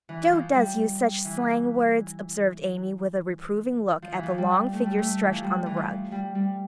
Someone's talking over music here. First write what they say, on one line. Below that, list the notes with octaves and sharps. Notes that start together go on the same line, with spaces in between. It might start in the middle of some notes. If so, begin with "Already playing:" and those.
"Jo does use such slang words!" observed Amy, with a reproving look at the long figure stretched on the rug.
E3
F3
G3
E3
F3
E3
F3
G3
A3
G3
A3
E3
F3
G3
E3
F3
G3
G3